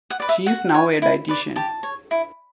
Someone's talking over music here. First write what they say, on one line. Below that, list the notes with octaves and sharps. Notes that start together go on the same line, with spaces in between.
She is now a dietician.
F#5
B4 D5
E5
F#4 F#5
C#5
E4
B4 D5
G4 A5
C#5
E4